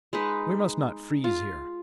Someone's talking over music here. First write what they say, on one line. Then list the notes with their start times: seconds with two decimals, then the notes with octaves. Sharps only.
"We must not freeze here."
0.13 G#3 D#4 B4
1.24 F4